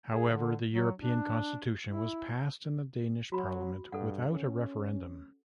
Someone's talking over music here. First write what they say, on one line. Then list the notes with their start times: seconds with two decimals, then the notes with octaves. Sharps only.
However, the European constitution was passed in the Danish Parliament without a referendum.
0.12 G#4
0.30 D3
0.72 F#3
0.98 D4
1.87 E4
3.32 F#3 F#4 B5
3.92 G2 A4 F#5
4.30 C#4